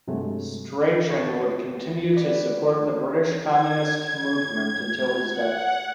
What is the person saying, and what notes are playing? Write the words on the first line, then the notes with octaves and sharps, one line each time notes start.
Strachan would continue to support the British communist movement until his death.
G2 C3 F#3 G#3 A3
A4 C#5
B4 D5
G#6
F#5